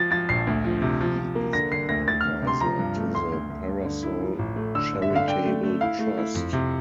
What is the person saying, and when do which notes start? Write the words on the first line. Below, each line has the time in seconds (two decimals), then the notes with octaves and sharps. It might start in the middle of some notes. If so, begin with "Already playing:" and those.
He is an advisor to the Parasol Charitable Trust.
Already playing: F3 A6
0.11 F3 A6
0.29 A#1 C7
0.47 D2
0.64 F3
0.82 C3
1.01 F3
1.19 F3
1.35 A#3
1.53 D3 A#6
1.71 D3 C7
1.89 D2 A#6
2.07 D2 A6
2.21 D2 F6
2.42 C3
2.47 C6
2.61 F3 A#5
2.79 G2
2.96 A3
3.14 D2 C6
3.32 D2
3.50 D2
3.67 G2
3.85 D3
4.03 E4
4.20 F3
4.39 A1
4.56 A3
4.75 D3 E6
4.93 G1
5.02 E5
5.10 D3
5.16 F5
5.28 D4 G5
5.45 A3
5.63 A3
5.81 E4 F5
5.99 A3
6.18 E4
6.34 F2
6.53 C3